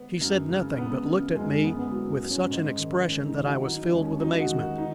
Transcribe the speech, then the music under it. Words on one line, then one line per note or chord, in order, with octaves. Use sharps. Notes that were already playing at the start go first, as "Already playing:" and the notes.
She said nothing, but looked at me with such an expression that I was filled with amazement.
Already playing: B3
F#2
C#3
C#3 B3
C#3
F#2 G#3
G#3
F#2 B3
B3
F#2 F#3
F#3
C#4
G#2
D#3
D#3 C#4
D#4
D#3
F#4
F#3 D#4
C#4
D#2
C#4
F#3 D#4
F#4
D#3
F#4
D#4